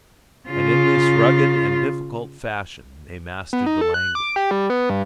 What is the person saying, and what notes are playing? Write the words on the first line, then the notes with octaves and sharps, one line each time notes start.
And in this rugged and difficult fashion they mastered the language.
C#3 F4
B3
D#4
A4
F#6
D6
G4
G3
B3
G2